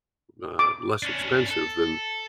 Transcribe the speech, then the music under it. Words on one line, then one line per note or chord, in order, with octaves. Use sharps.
uh, less expensive than
D6
C#4 D4
A4